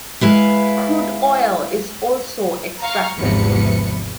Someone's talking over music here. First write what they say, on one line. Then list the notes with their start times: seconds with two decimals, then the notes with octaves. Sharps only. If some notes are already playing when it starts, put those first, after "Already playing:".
Crude oil is also extracted.
0.21 G#3 E4 B4 F5
2.82 F5 A#5 C#6 F6
3.18 G#1 E2 C3 F3 B4 C#7